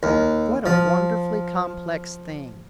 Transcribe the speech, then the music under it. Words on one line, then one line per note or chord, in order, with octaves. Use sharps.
What a wonderfully complex thing!
D#2
F3